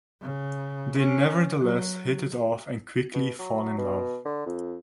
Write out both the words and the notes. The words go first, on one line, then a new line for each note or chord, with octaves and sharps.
They nevertheless hit it off and quickly fall in love.
C#3
C#4
F#3
B2
F#3
B2
D3
F2